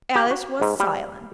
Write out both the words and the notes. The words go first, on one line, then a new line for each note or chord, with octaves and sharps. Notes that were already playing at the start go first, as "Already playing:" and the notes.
Alice was silent.
G4
F#4
G#2
G3